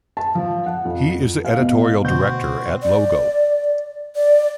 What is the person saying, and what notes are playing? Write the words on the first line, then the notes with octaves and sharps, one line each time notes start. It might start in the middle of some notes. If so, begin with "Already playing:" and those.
He is the editorial director at Logo.
A5
F3
F#5
F2
F5
B2
D2 B2 C4 F#4 G6
D5
D5